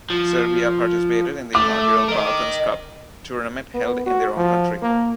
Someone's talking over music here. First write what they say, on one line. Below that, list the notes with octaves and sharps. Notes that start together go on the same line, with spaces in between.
Serbia participated in the inaugural Balkans Cup tournament held in their own country.
F3
A3 D6
A#4 D#5
B3
F#4
F3
A#3